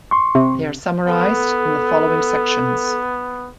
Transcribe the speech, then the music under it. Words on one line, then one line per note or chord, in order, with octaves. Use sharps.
They are summarized in the following sections.
C6 C#6
C3
B3 A4